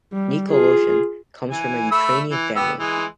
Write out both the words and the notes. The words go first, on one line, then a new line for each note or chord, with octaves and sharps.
Nikolishin comes from a Ukrainian family.
G3
F4 G#4
E3 G#5
A3 B5 E6
E3
B3 G4 E6
E3 G#3